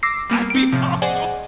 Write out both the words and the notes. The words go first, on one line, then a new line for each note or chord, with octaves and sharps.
I'd be all over
D6 E6 A#6 C7
G3 A#3 B3
C4 D7
A2 C3 F3
G#4 C5 D5 D#5 F#5 G#5